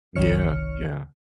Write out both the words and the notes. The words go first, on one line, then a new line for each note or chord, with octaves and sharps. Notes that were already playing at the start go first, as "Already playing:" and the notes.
Yeah. Yeah.
G1 C2 D#3 C#5 F6 C#7